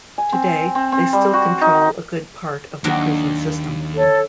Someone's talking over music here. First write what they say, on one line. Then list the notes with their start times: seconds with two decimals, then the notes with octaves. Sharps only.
Today, they still control a good part of the prison system.
0.18 G#5
0.32 C4
0.75 C4
0.92 C4
1.13 G3
1.34 F#4
1.61 D#4
2.84 D#2 D#3 F#3 D4
3.95 A4 C#5